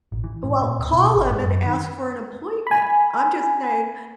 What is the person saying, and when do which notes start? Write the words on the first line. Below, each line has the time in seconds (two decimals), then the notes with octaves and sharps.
Well, call him and ask for an appointment. I'm just saying,
0.12 A1
0.24 E3
0.44 A2
0.62 A#2
0.79 D1
0.92 B2
1.15 G#1
1.30 G#2
1.43 F#2
1.66 D#3
2.67 G#5 B5